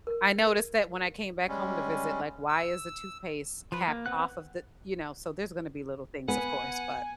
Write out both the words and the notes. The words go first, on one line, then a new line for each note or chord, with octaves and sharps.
I noticed that when I came back home to visit, like, why is the toothpaste cap off of the you know, so there's gonna be little things, of course, but
A#4
G3 G#3 C#4
E6
F3 B4
A#3
B3 C4 B4 F#5 F#6
B3 F#5 G#5